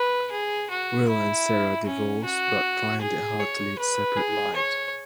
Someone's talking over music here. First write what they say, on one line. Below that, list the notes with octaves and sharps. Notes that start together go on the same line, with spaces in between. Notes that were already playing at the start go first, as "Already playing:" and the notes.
Will and Sarah divorce but find it hard to lead separate lives.
Already playing: B4
G#4
F#4
E4
C#4
F#4
G#4
C#5
B4
G#4
C#5